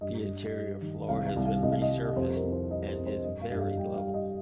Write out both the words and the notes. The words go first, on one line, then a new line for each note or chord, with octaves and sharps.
The interior floor has been resurfaced and is very level.
G2 D#5
G2
G3
D#3
C2 F5
F5
C2
F5
C2 D#5
F5
D#5
G3
F2 C5
A#4
F2
C5
G3 D#5
C5
F2
C5
G2 D#5
F5
G2
F5
G2 G5
F5
G3
D#5